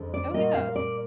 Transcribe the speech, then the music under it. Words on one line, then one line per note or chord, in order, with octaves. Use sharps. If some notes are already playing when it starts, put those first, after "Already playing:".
Oh, yeah.
Already playing: F2 D3 G#3
D5
A#2 G3 A#3 D#5
F5
D5